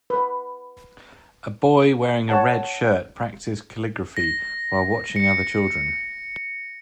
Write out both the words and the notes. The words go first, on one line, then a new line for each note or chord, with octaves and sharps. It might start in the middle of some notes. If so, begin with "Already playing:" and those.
A boy wearing a red shirt practicing calligraphy while being watched by other children.
B4
C#5 F#5 A5
A#6
C#7